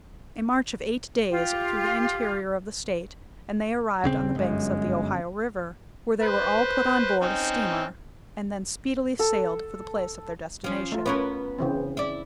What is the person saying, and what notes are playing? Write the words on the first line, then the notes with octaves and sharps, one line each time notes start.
A march of eight days through the interior of the state, and they arrived on the banks of the Ohio river, where they were all put on board a steamer, and then speedily sailed for the place of their destination.
F4 G4
D#1 C#3 C4
G1 F#2 G#3
B4 C5
C4 C#4 D#4
A4
F3 C#4
A3 F4
B3 C#4 A#4 B4 C#5
C#3 E3 C4
E4 D5